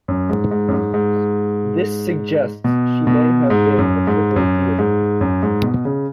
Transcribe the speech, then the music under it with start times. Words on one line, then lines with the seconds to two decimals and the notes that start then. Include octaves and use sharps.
This suggests she may have been a triple deity.
0.08 F#2
0.29 G#2
0.51 G#2
0.68 F#2
0.73 G#2
0.94 G#2
2.64 B2
3.07 B2
3.50 G#2
3.78 F#2
4.07 G#2
4.36 F#2
4.78 G#2
5.21 F#2
5.43 G#2
5.63 B2
5.85 C#3